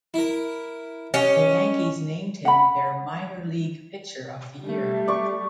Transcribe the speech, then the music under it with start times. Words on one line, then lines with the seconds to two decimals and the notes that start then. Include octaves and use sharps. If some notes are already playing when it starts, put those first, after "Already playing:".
The Yankees named him their minor league pitcher of the year.
0.14 E4 A#4
1.14 C#4 G4 D#5
2.45 F#5 B5
4.62 G3 A3
5.08 D5 C#6